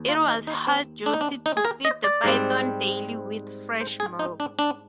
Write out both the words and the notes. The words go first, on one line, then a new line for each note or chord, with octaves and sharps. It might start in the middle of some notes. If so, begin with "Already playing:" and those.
It was her duty to feed the python daily with fresh milk.
Already playing: D#2
F4
D#4
D#4
C4
D4
D#4
D4
D#4
G#4
A#4
D#5
D5
G#2 G3 C4
C5
G#4
D#4
D4
D4